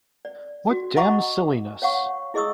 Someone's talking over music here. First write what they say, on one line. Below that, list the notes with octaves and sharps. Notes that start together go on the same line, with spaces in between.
What damn silliness!
D5
F#4
D#5 F#5 A#5 B5 C#6 D6
C#5 F5 F#5 C#6
E4 G#4 D#5 C#6 D#6 E6